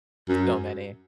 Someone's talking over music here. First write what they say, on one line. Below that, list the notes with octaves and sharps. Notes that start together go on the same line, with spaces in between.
So many.
F#2